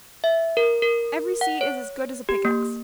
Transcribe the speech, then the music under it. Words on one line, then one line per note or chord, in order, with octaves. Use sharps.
Every sea is as good as a pickaxe.
E5
A#4
A#4
F#5
C#5
G4
A#3